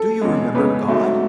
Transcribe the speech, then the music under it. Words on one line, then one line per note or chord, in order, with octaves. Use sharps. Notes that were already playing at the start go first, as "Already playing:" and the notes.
Do you remember God?
Already playing: A4
E2 C#3 G#3
E2 C#3 G#3 B4
G#2 F#3 A3